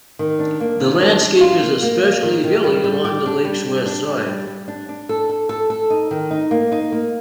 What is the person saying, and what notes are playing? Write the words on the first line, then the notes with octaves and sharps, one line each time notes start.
The landscape is especially hilly along the lake's west side.
D#3
D4
A#3
D#3
D4
D4
F4
A#3
A#3
A#3
D#3
D#3
G3
G3
G4
D4
G3
G3
D4
G3
G3
G3
D4
D4
A4
A4
A4
A4
D#4
D#3
D#4
A#3
D#4
A#3